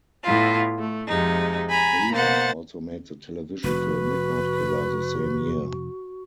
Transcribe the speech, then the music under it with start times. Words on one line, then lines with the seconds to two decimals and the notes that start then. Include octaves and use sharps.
Bava also made the television film "Midnight Killer" the same year.
0.23 A2 B3 E4 F4
0.77 A3
1.08 F2 C3 G#3 D#4
1.70 G#5 A#5 B5
2.12 B2 A#3 C5 F#5 A6
3.64 F1 F#4 B4